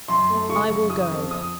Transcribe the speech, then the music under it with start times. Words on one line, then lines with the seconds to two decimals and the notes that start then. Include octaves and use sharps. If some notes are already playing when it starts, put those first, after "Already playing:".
I will go.'
0.08 F#2 C6
0.30 A3
0.49 C#3 C#6
0.70 F#2
0.90 C#3 D#6
1.11 F2
1.31 F2 D#6